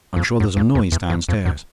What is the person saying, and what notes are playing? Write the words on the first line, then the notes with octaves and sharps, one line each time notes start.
I'm sure there's a noise downstairs.
F2
F#2
F2
E2
E2
F2
F2
F#2